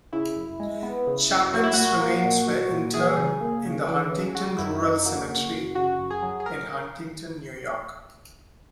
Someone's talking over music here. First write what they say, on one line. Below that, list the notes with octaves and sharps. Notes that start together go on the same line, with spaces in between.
Chapin's remains were interred in the Huntington Rural Cemetery in Huntington, New York.
C#3 E4
F#2
G#3
B3
C#3
F#2
F#3 F#4
E4
A#2 F#4
A#3
A#2
F#3
A#2
E3 G#4
C#3
A#3
C#3
E3
C#3
C#3 F#4
F#2 E4
F#3 D#4
A#3 F#4
C#3
F#2
C#3 F#4
F#2
G#4
F#3
G#4
A#4